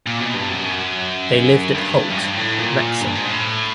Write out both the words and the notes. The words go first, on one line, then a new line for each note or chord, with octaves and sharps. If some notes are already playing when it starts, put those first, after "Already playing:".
They lived at Holt, Wrexham.
A#2
B2
G2
F#2
G2
F#2
G2
A2
A#2
G2
G#2
A2